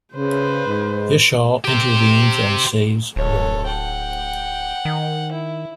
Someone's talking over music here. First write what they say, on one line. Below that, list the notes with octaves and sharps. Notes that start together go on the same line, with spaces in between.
Vishal intervenes and saves Roma.
C#3 B4 C5
G#2
G4 C5
D1 A4 C#5
F#5 G5
D#3
E4